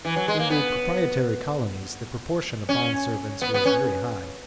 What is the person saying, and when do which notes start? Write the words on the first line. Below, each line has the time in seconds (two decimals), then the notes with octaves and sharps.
In the proprietary colonies the proportion of bond servants was very high.
0.05 E3
0.16 F#3
0.28 G#3
0.39 A#3
0.50 B3
2.69 C#4
3.42 B3
3.54 B3
3.65 C#4